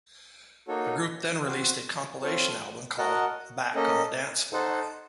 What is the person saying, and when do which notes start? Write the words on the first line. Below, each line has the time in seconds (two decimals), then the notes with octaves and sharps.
The group then released a compilation album called "Back On The Dancefloor".
0.68 A#3 D#4 F#4 A4 C#5
1.44 C4 F#4 C5 F#5
2.22 C4 F4 A4 C#5
2.98 F#4 A#4 D#5 F#5 A5
3.75 A#3 C#4 A4 D#5
4.52 D#4 A4 C5 F#5 A5